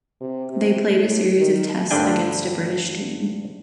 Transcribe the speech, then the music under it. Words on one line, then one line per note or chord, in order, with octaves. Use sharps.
They played a series of Tests against a British team.
C3
C3
A2
D#3
D2 G2 D3 D4 G5 G#5